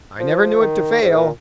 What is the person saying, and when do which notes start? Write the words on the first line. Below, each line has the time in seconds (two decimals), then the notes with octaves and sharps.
I never knew it to fail.
0.20 F3
0.61 D#3
1.02 G#2
1.16 A#2